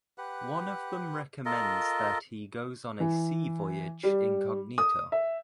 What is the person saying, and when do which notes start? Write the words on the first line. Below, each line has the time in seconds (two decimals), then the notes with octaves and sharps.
One of them recommends that he goes on a sea voyage incognito.
0.18 G4 B4 F#5
1.45 F4 A4 A#4 D#5
3.00 E3
4.03 G3
4.78 D#6
5.12 E5